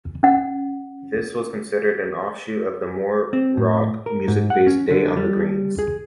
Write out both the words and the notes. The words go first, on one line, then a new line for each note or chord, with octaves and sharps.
This was considered an offshoot of the more rock music-based Day On The Greens.
C#4 F#5
C4
A2
A#4
G#2
F#5
C#4
D3
G3
G#4